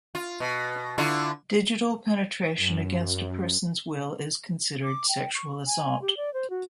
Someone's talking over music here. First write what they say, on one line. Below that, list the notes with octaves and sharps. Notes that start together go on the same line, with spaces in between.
Digital penetration against a person's will is considered sexual assault.
F4
B2
D3 E4 F4
F#2
D6
G5
C#6
G#5
G4
D5
C5
F#4